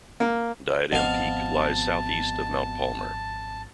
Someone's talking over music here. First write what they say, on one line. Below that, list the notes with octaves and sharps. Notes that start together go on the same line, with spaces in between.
Diadem Peak lies southeast of Mount Palmer.
A#3
G#1 B2 F3 C4 F5 A5